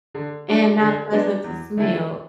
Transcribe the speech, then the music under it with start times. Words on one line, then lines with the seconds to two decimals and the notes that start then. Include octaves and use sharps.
and not pleasant to smell.
0.15 D3
0.48 F#3 D4
0.79 D3
1.12 F#3 B3 D4
1.44 E2
1.77 D3 A3 E4 A4